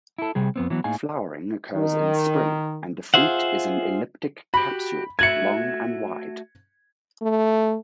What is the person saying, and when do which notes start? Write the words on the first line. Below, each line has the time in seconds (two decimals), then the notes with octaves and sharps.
Flowering occurs in spring and the fruit is an elliptic capsule long and wide.
0.18 E4 A4
0.35 C3 G3 G#4
0.56 F2 B3 C4
0.70 E3 F#3 B3
0.84 A2 A#3 D#4 G#4 F5 G#5
1.74 D#3
3.14 F4 G#4 C5 E5 F#5
4.54 F#4 G4 B5
5.19 A3 F#4 E5 G#6 C#7
7.22 A3